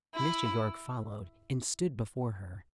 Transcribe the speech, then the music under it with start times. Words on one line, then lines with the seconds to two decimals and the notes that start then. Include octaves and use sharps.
Mr. Yorke followed and stood before her.
0.15 E4